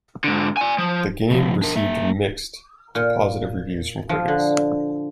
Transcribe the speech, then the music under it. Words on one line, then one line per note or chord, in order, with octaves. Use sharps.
The game received mixed to positive reviews from critics.
G#2 D3
D5 G#5
F3
C#3 F3
D4 A#4
A#3 E5
A#2
F3
D3